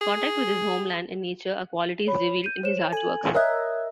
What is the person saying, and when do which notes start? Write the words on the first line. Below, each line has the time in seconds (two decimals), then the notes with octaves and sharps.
Contact with his homeland and nature are qualities revealed in his artworks.
0.01 G#4
2.07 C#5 B5
2.44 G6 D#7
2.63 C5 C#5 E7
2.92 A4 G#5 F#7
3.34 A#4 C#5 D#5 E5 F#6 G#6